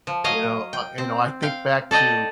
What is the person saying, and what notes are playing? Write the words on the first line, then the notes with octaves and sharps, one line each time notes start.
You know, uh, you know, I think back to
F3
F#3 D#5 F5
G5
C4
F5 G5
A4 D5 D#5 G5